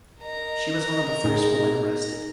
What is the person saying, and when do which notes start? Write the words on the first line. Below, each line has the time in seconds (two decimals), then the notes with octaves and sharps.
She was one of the first women arrested.
0.22 A#4 D#5 A#5
1.24 A2 D#4 G#4